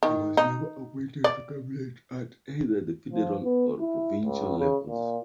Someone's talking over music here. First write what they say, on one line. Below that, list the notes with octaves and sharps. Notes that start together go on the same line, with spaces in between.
He was never appointed to cabinet at either the federal or provincial levels.
D#3
D#4
D5
F3
B3
E4
C#2
C#3
A#2